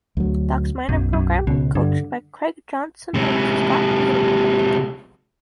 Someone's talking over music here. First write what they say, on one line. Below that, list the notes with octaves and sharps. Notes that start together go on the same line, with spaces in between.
Ducks minor program coached by Craig Johnson and Scott Niedermayer.
D2 F#3
B1 F#2
F#2
C#2 B2
G2 D3
C3 G#3